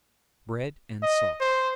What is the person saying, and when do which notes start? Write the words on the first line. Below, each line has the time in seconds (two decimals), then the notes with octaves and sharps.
Bread and Salt.
1.03 D#5
1.40 C5